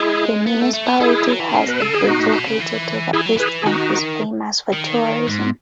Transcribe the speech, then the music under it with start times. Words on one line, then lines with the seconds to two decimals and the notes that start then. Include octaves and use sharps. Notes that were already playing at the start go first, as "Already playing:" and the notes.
The municipality has a beach located to the east and is famous for tourism.
Already playing: G#3 E4 G#4
0.46 B3
0.61 A3
0.73 A3
0.86 B3
1.00 A3 E4 G#4
1.13 G#3
1.27 F#3
1.39 E3
1.49 D#3
1.54 C#3
1.67 B2 B4
1.80 C#3 A4
1.94 D#3 G#4
2.01 C#3
2.06 B2 D#4 F#4
2.20 A2
2.33 B2
2.47 C#3
2.61 E3
3.13 E3 E4 G#4
3.26 F#3
3.37 E3 G#4 B4
3.62 G#4
3.66 D#3 D#4 F#4
4.73 D#3
5.27 G#2